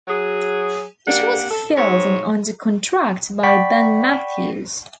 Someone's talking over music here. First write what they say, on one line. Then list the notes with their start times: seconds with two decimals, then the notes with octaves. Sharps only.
It was filled in under contract by Ben Mathews.
0.08 F#3 G#4
1.07 A#3 D4 G4 F#5
1.50 A4
1.77 G#2 C4 C#5
3.43 D5 F#5 G5 B5 C#6 B6